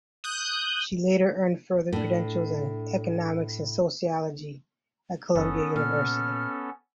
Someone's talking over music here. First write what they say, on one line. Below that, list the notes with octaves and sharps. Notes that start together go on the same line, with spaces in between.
She later earned further credentials in economics and sociology at Columbia University.
D#6 F#6 G6
A2 D4
F#1 B3 C#4 A4 D#6
A#2 F6